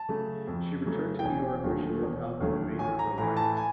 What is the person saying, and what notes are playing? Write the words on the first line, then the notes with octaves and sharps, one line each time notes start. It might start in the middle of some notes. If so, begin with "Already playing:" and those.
She returned to New York where she lived out the remainder of her life.
Already playing: A5
C#3 F#3 A3
F2
C#3 F#3 A3
G5
E1 G#5
D#2 D3 F#3 A3
E1
D#2 D3 F#3 A3
A1 G#5
A#5
A2 E3 A#5
A5
G#5